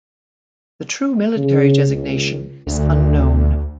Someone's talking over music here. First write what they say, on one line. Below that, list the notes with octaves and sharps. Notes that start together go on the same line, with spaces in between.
The true military designation is unknown.
C#3
C#2
D2